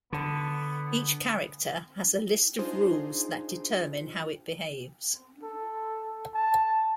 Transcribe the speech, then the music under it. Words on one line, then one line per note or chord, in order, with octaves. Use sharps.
Each character has a list of rules that determine how it behaves.
D3 B3
D4 D#4 F4 G#4 C5 C6
A4
A5